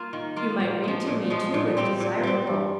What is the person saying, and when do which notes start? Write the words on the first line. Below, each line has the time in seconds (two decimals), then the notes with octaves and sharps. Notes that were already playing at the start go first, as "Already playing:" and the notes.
You might read to me, too, if desirable.
Already playing: A#3 F4
0.13 D#3
0.36 A#3 F4
0.60 A#2
0.84 F3 G#3
1.07 A#2
1.30 F3 G#3
1.54 A#2
1.77 G3 C4
2.00 A#2
2.23 G3 C4
2.47 G2